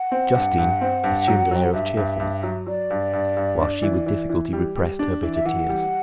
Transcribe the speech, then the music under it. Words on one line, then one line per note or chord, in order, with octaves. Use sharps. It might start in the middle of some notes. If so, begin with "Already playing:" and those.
Justine assumed an air of cheerfulness, while she with difficulty repressed her bitter tears.
Already playing: F#5
C4
G2
G2
C4
G2
F#3
F#3 G5
F#5
G2 E5
G2
G2
F#3
F#3 D5
G2
G2
G2
D4
E3
E3
E3
G3
G3
D4
E3
E5
E3 F#5
G3